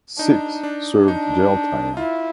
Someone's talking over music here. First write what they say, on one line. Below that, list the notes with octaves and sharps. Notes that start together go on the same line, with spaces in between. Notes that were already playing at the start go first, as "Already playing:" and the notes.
Six served jail time.
D4 D#4
D4
D4 D#4
E4 F4